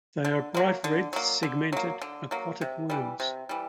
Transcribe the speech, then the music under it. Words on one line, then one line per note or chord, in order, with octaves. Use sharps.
They are bright red, segmented, aquatic worms.
D3
F#3 A#3
D3
F#3 A#3
D3
F#3 A#3
D3
F#3 A#3
C3
E3 G3
C3
E3 G3